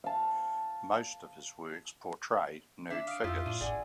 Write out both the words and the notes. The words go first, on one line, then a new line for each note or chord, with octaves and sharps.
Most of his works portray nude figures.
F5 A5
D4 E5
F5 D#6 D7
F2 E4 F4 G4 D#6 E6
A2 D4 D#7
G#1 G#4 D5 F#5 G#5